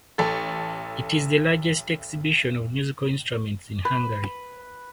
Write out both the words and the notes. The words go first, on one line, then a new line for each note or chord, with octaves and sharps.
It is the largest exhibition of musical instruments in Hungary.
A1 A4
B4